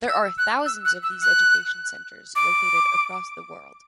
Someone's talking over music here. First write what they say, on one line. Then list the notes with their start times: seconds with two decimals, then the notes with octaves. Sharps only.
There are thousands of these education centers located across the world.
0.09 E6
0.38 F#6
0.66 E6
0.85 F#6
1.03 E6
1.22 F#6
2.36 D6